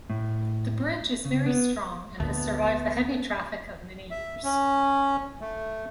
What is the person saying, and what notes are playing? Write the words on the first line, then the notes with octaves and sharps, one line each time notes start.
The bridge is very strong and has survived the heavy traffic of many years.
A2
C#3
B3
D2 A#2 A3 B3
E5
C#4
A3